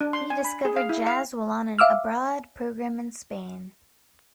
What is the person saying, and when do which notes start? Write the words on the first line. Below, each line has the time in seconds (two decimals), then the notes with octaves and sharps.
He discovered jazz while on an abroad program in Spain.
0.01 D4
0.13 C6
0.30 G#5
0.44 B5
0.65 G#4
0.76 F5
0.89 E4
1.07 F5
1.79 E5 F5 D6 E6 F6